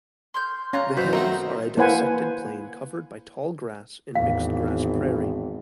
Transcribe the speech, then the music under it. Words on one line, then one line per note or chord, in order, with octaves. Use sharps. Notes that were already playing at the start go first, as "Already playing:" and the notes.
The hills are a dissected plain covered by tallgrass and mixed-grass prairie.
C6 F6 G6
C#4 F4 A#5 F#6
F#2 B2 F#3 F#4 B4 C5 G6
D#3 A3 C4 D#4 F#4 A#4
A#3 E4 B4 C5 F#5 G#5
G#1 E2 A2 F5